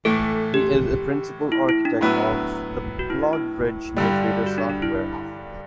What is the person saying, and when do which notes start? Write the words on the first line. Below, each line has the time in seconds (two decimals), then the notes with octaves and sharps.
He is a principal architect of the BlogBridge Newsreader software.
0.05 A2 E3 A3 A4
0.54 G4
1.52 E4
1.69 E4
1.85 D4
2.01 A2 F#3 B3 E4 B4
2.99 F#4
3.10 E4
3.22 D4
3.33 E4
3.97 G2 D3 G3
4.46 F#4
4.58 D4
4.70 D4
4.82 E4